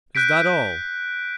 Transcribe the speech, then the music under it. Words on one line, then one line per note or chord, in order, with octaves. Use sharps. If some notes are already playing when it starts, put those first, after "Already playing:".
"Is that all?"
F#6 G6 B6 D7